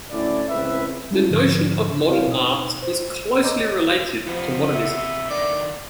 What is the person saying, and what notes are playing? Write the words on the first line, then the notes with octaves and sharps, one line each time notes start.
The notion of modern art is closely related to modernism.
D2 A2 C#4 E4 D5
C#2 A2 C4 B4 E5
G3 G#3 C#4 E4 A4
G#2 D3 F3
C4 E4 A#4 C#5 F5 G5
B2 D#4 D#6
C5
C#5 D#5 A#5 D6 G6
C3 F3 B3
E5
D3 D#3 D5